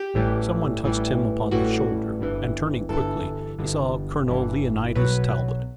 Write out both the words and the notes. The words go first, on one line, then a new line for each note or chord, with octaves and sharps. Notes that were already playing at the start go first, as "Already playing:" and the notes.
Some one touched him upon the shoulder, and turning quickly he saw Colonel Leonidas Talbot.
Already playing: G4
A1 A2 E3 G3
A1 A2 E3 G3
A1 A2 E3 G3 F#4
G1 G2 E3
G1 G2 E3 A4
G1 G2 E3
G1 G2 E3
B1 B2 F#3 B4